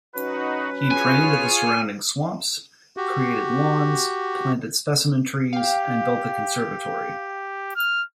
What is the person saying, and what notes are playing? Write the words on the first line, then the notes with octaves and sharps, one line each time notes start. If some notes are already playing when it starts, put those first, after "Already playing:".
He drained the surrounding swamps, created lawns, planted specimen trees, and built the conservatory.
F#3 C#4 D#4 F#4 B4
F4 G#4 C#5 G#5
F#4 G4
G4 F5 G5
F6